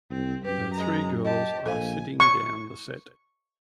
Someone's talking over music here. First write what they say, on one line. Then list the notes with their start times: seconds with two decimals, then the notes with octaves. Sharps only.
The three girls are sitting down the set.
0.11 C2 C4
0.45 F#2 G4 B4
0.74 G#3 A#5
1.25 G4 D#5 A5
1.66 A#1 A4 C5 F5 G#5
2.20 C#6